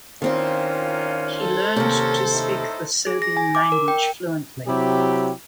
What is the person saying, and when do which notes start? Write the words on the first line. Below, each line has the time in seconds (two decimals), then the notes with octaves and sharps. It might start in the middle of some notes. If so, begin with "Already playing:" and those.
He learned to speak the Serbian language fluently.
0.22 A#2 D#3 C4 C#4 E4 F4
1.40 A4 C5
1.76 D#2 C3 C#4 A#4
2.32 A2 D#4 E4
3.07 G#4
3.22 A#6
3.37 G#5
3.55 D6
3.72 A#4
3.88 G5
4.68 C3 F#3 E4 G4